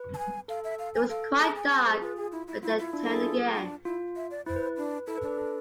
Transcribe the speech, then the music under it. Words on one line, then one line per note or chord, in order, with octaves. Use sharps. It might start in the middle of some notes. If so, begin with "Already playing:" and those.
It was quite dark when they turned again.
Already playing: B4
A5
G#5
A4 F5
E5
F5
G#5
A4 F5
G#4 A5
G#5
A5
C5
G#4
F4 B4
G#4
E4
E4
E4 F4
E4
D4
A4
G#4
F4
D4
E4 F4
E5
D5
E4 C5
B4
B4
D4
E4 A4
B4
D4
B4
A4